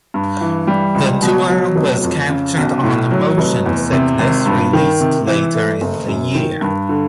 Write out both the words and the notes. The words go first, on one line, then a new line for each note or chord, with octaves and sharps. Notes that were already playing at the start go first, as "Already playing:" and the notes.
The tour was captured on "Motion Sickness", released later in the year.
G2
E3
G3
C#2
B2
F#3
F1
F2
C#3
B1
A2
F#3
F1
E2
C3
G#1
G2
D#3
C3
E3
A3
F#1
F#2
D#3
G2
D3